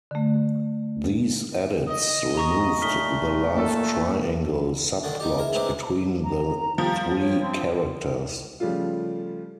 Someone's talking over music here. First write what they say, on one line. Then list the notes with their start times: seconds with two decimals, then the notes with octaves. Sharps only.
These edits removed the love triangle subplot between the three characters.
0.11 D3 A3
1.87 D#5
2.37 A#5 C#6 A#6
2.82 A#2 A3 F6 B6 G7
3.56 A#3 A4
5.03 D3 D#3 D4
5.20 D#4 G4 D#5 A#5
5.38 D4 G#4 A#4 E5
5.53 G#3 C4 E4 B4 A#5 D6
6.24 A#5
6.78 F3 G3
7.20 C#5
7.41 C4
8.60 C#3 F3 G3 A3 F4